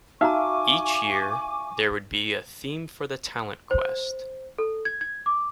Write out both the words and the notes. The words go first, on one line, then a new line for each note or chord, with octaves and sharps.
Each year, there would be a theme for the Talent Quest.
D#4 F#4 E5 F5 G#5 A#5 C#6 D6
C5
A4
G#6
G#6
D6